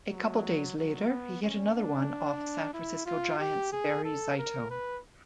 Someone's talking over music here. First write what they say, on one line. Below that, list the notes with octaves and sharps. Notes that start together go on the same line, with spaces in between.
A couple days later he hit another one off San Francisco Giants' Barry Zito.
F#3
F#3
B3
C#4
D4
E4
F4
G4
G#4
A4
A#4
B4